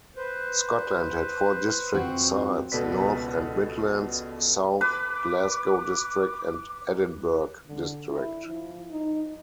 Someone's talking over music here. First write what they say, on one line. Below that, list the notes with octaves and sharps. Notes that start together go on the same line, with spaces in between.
Scotland had four District Sides:- North and Midlands; South; Glasgow District and Edinburgh District.
B4 C5
F2 C4 F#4
C#2 B2 A4 B4 D5 B6
B4 D6
D3
E4
F3
D#4